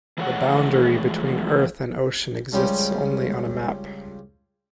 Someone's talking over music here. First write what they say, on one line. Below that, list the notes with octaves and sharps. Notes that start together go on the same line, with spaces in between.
The boundary between earth and ocean exists only on a map.
E3 F3 G#3 A3 C#5 F#5
C#2 F3 G3 C#4 G4 C5